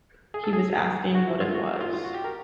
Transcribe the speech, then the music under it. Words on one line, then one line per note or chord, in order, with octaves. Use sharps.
He was asking what it was.
G#4
A4
G#4
F#4
E4
F4
F#4
F4
F4
F#4
G4
A#4